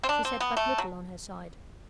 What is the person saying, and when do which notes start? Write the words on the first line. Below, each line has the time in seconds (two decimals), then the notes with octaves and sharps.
She said but little on her side.
0.03 C4
0.09 D4
0.25 C4
0.40 B3
0.57 A3
0.78 F#3